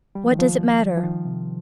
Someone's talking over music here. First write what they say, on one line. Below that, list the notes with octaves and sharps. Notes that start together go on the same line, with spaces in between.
What does it matter?
G3
F3
D#3
F3
F3
D#3
C3